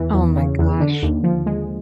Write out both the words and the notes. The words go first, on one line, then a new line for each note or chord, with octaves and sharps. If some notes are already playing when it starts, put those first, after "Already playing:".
Oh my gosh.
Already playing: E2 E3
E2
C#3
E2
D3
D#2
F3
G#3